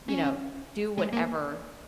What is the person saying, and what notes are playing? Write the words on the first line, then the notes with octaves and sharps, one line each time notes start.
you know, do whatever
C#4
G#3
A#3